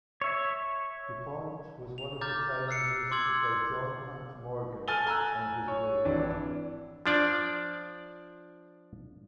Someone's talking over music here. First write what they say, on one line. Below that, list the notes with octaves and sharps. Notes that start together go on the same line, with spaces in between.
Dupont was one of the towns visited by John Hunt Morgan on his raid.
C#5 E5
F7
A#5 D6 F6 G6 A6
E6 F#6 C7 C#7
C6 D6 E6 G#6 F#7
A4 G#5 F6 A6 D#7 G7
G#5 A#5 E6 F#6
C#5
G#1 E3 D4
F3 D4 D5